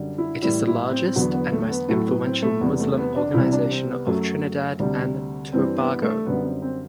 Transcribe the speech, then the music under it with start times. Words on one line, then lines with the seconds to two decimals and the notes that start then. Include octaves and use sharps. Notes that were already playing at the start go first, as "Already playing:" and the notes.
It is the largest and most influential Muslim organisation of Trinidad and Tobago.
Already playing: F#2 D3 G3
0.18 E4
0.42 A2 E3 G3 E4
0.67 E4
0.91 C4
1.06 C4
1.16 E2 D3 F#3 B3
1.34 B3
1.52 A3
1.70 B3
1.88 A2 F#3 A3
2.06 B3
2.24 C4
2.42 A3
2.61 E2 C3 G3 B3
2.80 A3
2.97 B3
3.16 D4
3.34 C2 C3 E3 G3 E4
3.53 D4
3.71 C4
3.88 B3
4.07 F#2 F#3 A3
4.80 D2 C3 G3
5.53 G2 E3 G3 C4
5.78 B3
6.02 A3
6.26 F#2 D3 G3 B3
6.45 C4
6.62 C4